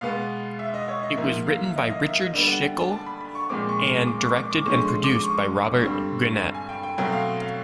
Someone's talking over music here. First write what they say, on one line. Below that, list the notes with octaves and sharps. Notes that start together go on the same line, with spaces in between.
It was written by Richard Schickel and directed and produced by Robert Guenette.
B2 G#3 B3 F5
E5
D#5
C#5
D#5
G#2 F3 A#3 E5
F5
D#5
D#5
E5
D#5
D3 G3 B3 D5
F#5
G5
G#5
A5
B5
B5
C#6
A#2 F3 G#3 C4 D6
C#6
D6
C#6
D6
D6
D3 F3 G#3 C#4 C#6
C6
D6
C#6
G2 D3 G3 C4
G#5
G5
G5
B2 F#3 A3 C4 G5
F5
F5